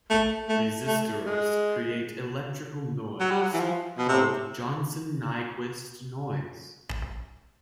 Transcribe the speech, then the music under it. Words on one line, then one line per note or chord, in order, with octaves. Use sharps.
Resistors create electrical noise, called Johnson-Nyquist noise.
A3
A3
A3
G#3
F#3
G3
F#3
E3
F3
B2
C3